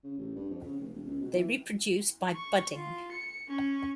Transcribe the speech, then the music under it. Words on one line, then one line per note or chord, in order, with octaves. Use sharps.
They reproduce by budding.
C#3
A1
G2
F2
C#3
F1
E1
C#2
B2
E3
C#6
F4
C#7
C#4 C#6